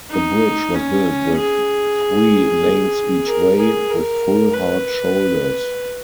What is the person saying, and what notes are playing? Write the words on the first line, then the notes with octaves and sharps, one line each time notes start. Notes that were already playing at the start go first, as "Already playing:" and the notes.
The bridge was built with three lanes each way, with full hard shoulders.
D#4
C#4
G#4
A#4
G#4
A#4
B4